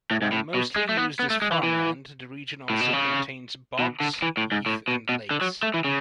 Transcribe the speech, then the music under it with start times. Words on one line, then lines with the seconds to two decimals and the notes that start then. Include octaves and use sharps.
While mostly used as farmland, the region also contains bogs, heath and lakes.
0.11 A2
0.22 G#2
0.32 A2
0.54 B2
0.76 G#3
0.89 A3
0.97 B3
1.19 B3
1.30 A3
1.42 G#3
1.52 E3
1.63 E3
2.70 A2
2.81 B2
2.93 C#3
3.79 B2
4.00 D3
4.22 E3
4.37 A2
4.52 G#2
4.66 A2
4.88 B2
5.09 B2
5.31 D3
5.41 F#3
5.63 A3
5.74 E3
5.84 C#3